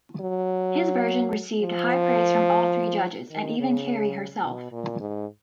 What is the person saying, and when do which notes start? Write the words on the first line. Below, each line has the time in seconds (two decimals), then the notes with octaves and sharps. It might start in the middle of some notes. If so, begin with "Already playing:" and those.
His version received high praise from all three judges, and even Carey herself.
0.20 F#3
1.61 F3
3.31 D#3
3.59 C#3
4.44 B2
4.72 A#2
5.00 G#2